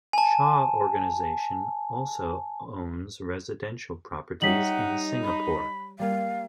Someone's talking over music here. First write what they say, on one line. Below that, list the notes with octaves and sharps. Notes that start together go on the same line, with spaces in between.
Shaw Organisation also owns residential properties in Singapore.
G#5 A5
G3 D#4 C#5 E5 F#5 B6 F#7
B5
G3 A#3 F5